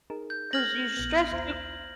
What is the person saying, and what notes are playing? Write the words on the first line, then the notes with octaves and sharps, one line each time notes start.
'Cause you stress too
D#4 G#4 A#4
G6
F6 G#6 A#6 F#7
A#1 B3
D#2 C5 A#5